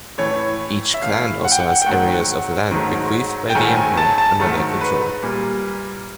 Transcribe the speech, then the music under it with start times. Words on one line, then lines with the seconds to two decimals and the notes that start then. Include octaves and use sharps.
Each clan also has areas of land bequeathed by the emperor under their control.
0.18 A2 E3 A3 C#5
0.94 E5
1.02 A2 E3 A3 F5
1.45 F#5
1.52 G5
1.60 F#5
1.82 G5
1.86 G#2 D#3 F#3 A3 F#5
2.71 G#2 D#3 F#3 A3
3.50 G5
3.55 G#2 D#3 F#3 A3 G#5
3.76 G#5
3.97 A5
4.18 A5
4.40 G#2 D#3 F#3 A3
4.81 B4
5.23 A#2 G3 A#3